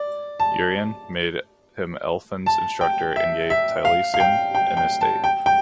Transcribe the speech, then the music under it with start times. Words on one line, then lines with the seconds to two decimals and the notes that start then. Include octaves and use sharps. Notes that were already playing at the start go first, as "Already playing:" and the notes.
Urien made him Elffin's instructor, and gave Taliesin an estate.
Already playing: D5
0.40 A5
2.46 A5
2.81 G5
3.16 E5
3.50 E5
3.85 F5
4.14 F5
4.20 G5
4.55 G5
4.77 G5
5.01 A5
5.24 G5
5.46 G5